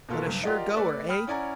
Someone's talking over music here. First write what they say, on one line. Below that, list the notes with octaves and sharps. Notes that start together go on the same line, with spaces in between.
"But a sure goer, eh?"
B2 A#3 F4 A4 B4
F#1 G2
F4 G4 A#4 D5 D#5 F#5
A3 A4 B4 D5
G5 B5 D#6 F6
C#4 E4 D5 F#5 G#5 A#5